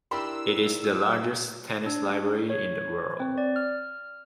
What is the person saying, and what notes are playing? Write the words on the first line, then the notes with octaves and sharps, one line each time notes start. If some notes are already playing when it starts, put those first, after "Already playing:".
It is the largest tennis library in the world.
D4 E4 G4 A#4 B5 C6 E6
D4
C#5
C4
D5
F6